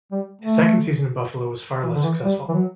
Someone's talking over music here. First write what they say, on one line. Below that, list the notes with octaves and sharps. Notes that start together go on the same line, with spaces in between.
His second season in Buffalo was far less successful.
G3
A3
E3
D3
E3
G3
E3
F#3